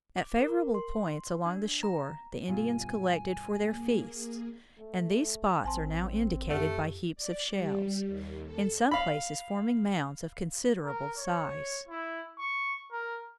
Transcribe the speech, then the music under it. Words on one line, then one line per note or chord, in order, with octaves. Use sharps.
At favorable points along the shore the Indians collected for their feasts, and these spots are now indicated by heaps of shells, in some places forming mounds of considerable size.
D6
A#4
C6
D4
A#5
G2 B2 F4 G#5
A#3 G#4
A3
A1 C4 G#5 A5 C6
F#2 A3 G4
D5
G3
D#2
A4
F5 B5
A#4
C#5
E4
C#6
A#4